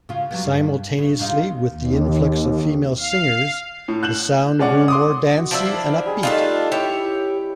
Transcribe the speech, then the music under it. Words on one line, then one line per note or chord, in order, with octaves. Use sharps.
Simultaneously with the influx of female singers, the sound grew more dancey and upbeat.
C#3 F4
F#3 G3 B3
G2
C#3
C3 D#4 F4
D#2
F5
A2
F#6 G6 E7 F#7
G#3 C#4 D5 F#5
C6 D6 D#6
F#4
F3 D4 E4
G3 G#4
A3 D4 D#4 F4 G4
E4 G4 C#5 E5 D6